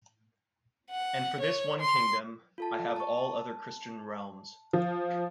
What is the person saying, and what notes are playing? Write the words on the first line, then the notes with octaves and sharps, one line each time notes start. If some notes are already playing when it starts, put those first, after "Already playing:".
And for this one kingdom, I have all other Christian realms.
F#5
C#5
C6
F4 A4 A5
A5 C#6
A5
F3